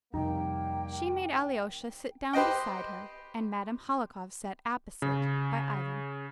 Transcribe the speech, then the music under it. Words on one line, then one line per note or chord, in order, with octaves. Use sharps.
She made Alyosha sit down beside her, and Madame Hohlakov sat opposite, by Ivan.
F2 C3 G3 A#3 D#4 G5
G4 B4 C5 D#5 G5
C#3